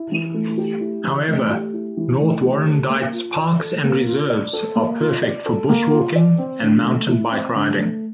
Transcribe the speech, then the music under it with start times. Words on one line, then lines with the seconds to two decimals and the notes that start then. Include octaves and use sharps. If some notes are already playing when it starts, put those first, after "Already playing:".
However, North Warrandyte's parks and reserves are perfect for bushwalking and mountain bike riding.
Already playing: E4
0.12 E3
0.34 A3
0.58 G4
0.80 E4
1.04 E3
1.28 A3
1.50 G4
1.73 E4
1.97 E3
2.20 A3
2.44 G4
2.67 A4
2.90 A#3
3.13 F4
3.37 D5
3.60 A4
3.84 A#3
4.07 F4
4.30 D5
4.53 A4
4.75 A#3
5.00 F4
5.23 D5
5.46 A4
5.69 A#3
5.92 F4
6.16 D5
6.38 C4
6.62 D3
6.85 A3
7.08 E4
7.32 C4
7.55 D3
7.78 A3